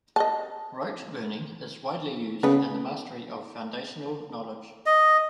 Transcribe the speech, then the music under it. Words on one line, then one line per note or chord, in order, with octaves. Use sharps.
Rote learning is widely used in the mastery of foundational knowledge.
D#5 A5
C#3 B3 B4
D#5